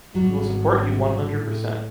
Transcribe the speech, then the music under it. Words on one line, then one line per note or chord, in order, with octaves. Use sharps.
We will support you, one hundred percent!
G#1 F#3 G3
A2